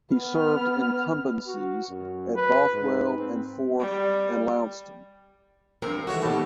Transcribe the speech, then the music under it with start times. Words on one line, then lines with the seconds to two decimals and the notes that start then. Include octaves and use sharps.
He served incumbencies at Bothwell and Forth and Launceston.
0.14 B3 F6
1.46 F#4
1.88 F#2
2.35 B4
2.74 G#2
3.18 C4
3.79 G3
5.82 G2 A#2 C4 A#4
6.07 D#3 E3 F#4 G4 A4 C#5 E5
6.22 B2 G3 A3 A#3 G4